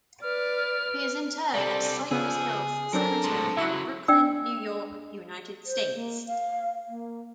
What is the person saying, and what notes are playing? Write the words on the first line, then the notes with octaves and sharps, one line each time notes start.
He is interred at Cypress Hills Cemetery in Brooklyn, New York, United States.
B4 D5 F6
C3 G3 A4 D5
C#3 F3 B3 G#4 E6
F#3 C4 D4 A4 A#4
A2 G#3
C#3 F#3 E4 F#4
D4 D5 G5 E6
C5
A#3
F5
A#3